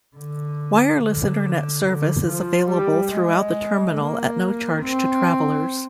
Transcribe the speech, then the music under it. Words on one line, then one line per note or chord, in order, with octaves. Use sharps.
Wireless internet service is available throughout the terminal at no charge to travelers.
D3
D3
D3
F3
G3
G#3
A#3
C4